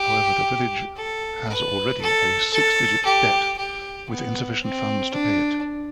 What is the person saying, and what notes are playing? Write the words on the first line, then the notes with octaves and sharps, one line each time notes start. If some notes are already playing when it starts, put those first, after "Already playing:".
However the village has already a six-digit debt with insufficient funds to pay it.
Already playing: G4
A4
B4
A4
A4
G4
G4
B3
C4
D4